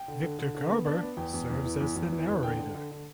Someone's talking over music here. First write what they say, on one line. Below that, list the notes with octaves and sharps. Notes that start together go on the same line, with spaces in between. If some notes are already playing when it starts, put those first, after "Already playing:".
Victor Garber serves as the narrator.
Already playing: G5
D3
D3
D3
D3
B3
D4
B3
E2 G5
E2
E2
E3
E2
E2
E3
E2
D3 G5
D3
D3
D3